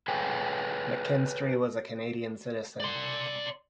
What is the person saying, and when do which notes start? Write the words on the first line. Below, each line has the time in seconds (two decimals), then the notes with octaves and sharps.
McKinstry was a Canadian citizen.
0.08 G#4 A4 B4 C#5 G5 G#5
2.80 D5 C6